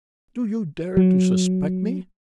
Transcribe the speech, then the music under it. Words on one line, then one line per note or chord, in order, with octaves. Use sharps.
"Do you dare to suspect me?"
F#3